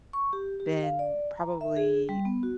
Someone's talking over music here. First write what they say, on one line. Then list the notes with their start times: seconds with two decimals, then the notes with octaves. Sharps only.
been probably
0.13 C#6
0.33 G4
0.60 G4
0.83 F5
0.99 D5
1.37 A#5
1.61 E5
1.76 G#4
2.09 G3
2.25 B3
2.43 F#4